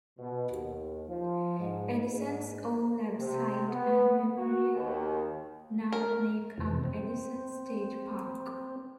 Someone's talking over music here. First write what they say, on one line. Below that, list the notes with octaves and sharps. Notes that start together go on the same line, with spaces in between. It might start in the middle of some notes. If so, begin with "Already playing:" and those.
Edison's old lab site and memorial now make up Edison State Park.
B2
D#2
F3
G#2
G#2
C3
B3
F#4
D#2
A#4
F2 C3 E3
C4